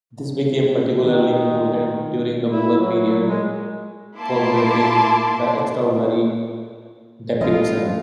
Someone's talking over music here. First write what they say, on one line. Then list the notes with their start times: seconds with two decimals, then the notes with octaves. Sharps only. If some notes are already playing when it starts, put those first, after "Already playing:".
This became particularly important during the Mughal period corroborating this extraordinary depiction.
1.03 D#3
2.49 E4
2.77 F#3
3.27 G#3
4.18 A#3 E4 A5 C6 D6
7.41 F3 G#3 C#4 E4 F4 A4 D#5